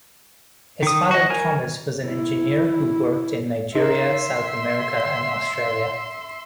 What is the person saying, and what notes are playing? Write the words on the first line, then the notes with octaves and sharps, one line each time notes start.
His father Thomas was an engineer who worked in Nigeria, South America and Australia.
D#3 D#6
F#4 D#5
A#4 G#5
E4
D#4 A#4 E5 C6